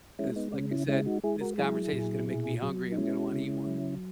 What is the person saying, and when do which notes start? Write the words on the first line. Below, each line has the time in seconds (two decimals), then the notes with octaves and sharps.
'cause like I said, this conversation is gonna make me hungry, I'm gonna wanna eat one.
0.19 G#3 C#4 E4
0.36 B3 D#4
0.54 C#3 C#4
0.71 C#4 E4
0.88 G#3 C#4 E4
1.06 D#4 F#4
1.24 G#3 E4 G#4
1.41 F#4 A#4
1.58 F#3 E4 G#4
1.93 A#2
2.27 B2
2.62 F#3
2.92 D#4
2.97 G#3 C#4 E4
3.32 C#3
3.67 F#3